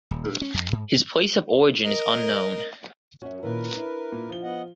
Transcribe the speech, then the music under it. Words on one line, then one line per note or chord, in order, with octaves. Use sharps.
His place of origin is unknown.
D#1
A#2
C#4
F2
G#2
A#4 D#5
F#2 C#4 F#4 E5
A#2 D#3 E4 A#4 B4
D4 E4
A#2
F3 G7
B3 D#5 F#5